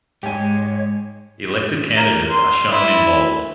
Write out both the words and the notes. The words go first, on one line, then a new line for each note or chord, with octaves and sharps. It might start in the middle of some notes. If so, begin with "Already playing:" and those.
Elected candidates are shown in bold.
G#2 G#3 G4 C#5 G#5
A#4
C6
E4